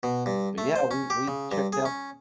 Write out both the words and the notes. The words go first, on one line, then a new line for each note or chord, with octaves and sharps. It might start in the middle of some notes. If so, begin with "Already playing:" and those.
but, yeah, we we checked out
B2
G2
A3
C5
C#4
G4
C#3
G2
G#4
C#4